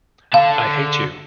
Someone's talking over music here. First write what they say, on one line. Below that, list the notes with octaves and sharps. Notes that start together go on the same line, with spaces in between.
I hate you!
D3 F5 A5